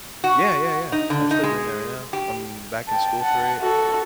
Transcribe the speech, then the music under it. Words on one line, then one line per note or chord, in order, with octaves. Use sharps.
Yeah, yeah, yeah. I'm still doing that right now. I'm back in school for it.
F#4
D#4
D3
D#4
G#3
G4
G5 A5
F#5 A5
F#4 A4